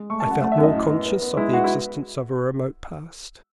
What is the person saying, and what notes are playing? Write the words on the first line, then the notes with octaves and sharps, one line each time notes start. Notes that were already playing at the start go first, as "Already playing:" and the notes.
I felt more conscious of the existence of a remote past.
Already playing: G#3
A3 C#6
A5
F#2 F#5
A3 F#5
E5
F#2
D#5
A2
B3
B3
B3
G#3 E4
B3 F#4
E4